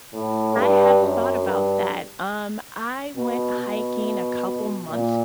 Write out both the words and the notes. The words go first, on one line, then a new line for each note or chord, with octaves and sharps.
I have thought about that. Um, I went hiking a couple months
A2
G2
F#2
G2
B2
B2
A#2